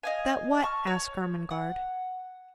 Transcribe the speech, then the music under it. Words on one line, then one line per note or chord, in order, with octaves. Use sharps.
"That what?" asked Ermengarde.
D#5 F5 G#5
A5 C#6 F6
C#5
F#5